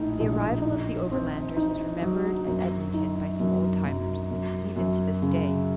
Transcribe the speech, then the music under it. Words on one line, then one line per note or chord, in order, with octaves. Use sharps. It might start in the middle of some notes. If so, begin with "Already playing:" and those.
The arrival of the Overlanders is remembered at Edmonton by some old-timers even to this day.
Already playing: A#1 A2 D#4
A#1
D#4
C4
D#4
F#3
F#2
D#4
F#2
F#2
F#2
F#2
C#3